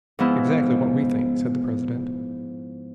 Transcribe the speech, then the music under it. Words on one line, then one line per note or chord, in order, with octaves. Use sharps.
"Exactly what we think," said the president.
G#2 F3 B3 E4